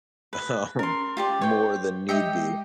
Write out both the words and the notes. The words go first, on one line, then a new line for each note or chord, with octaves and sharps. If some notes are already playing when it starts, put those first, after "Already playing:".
um, more than need be,
B4
C#4 A#4 C6
F4 G4 D5
B4 C#5 G5
G#3 G4 D#5 E5 G5